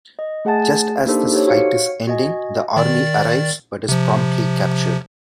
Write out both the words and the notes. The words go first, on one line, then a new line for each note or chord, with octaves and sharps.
Just as this fight is ending, the army arrives but is promptly captured.
D#5
A3 G#4 F#5 G#5 A5 A6
A#3 D4 D#4 G4 A4 C5
D#4 G4 A4 C5 C#5
F#4 C#5 F5 C#7
F#4 D#5 G#5
D#3 D5 A6
C3 F3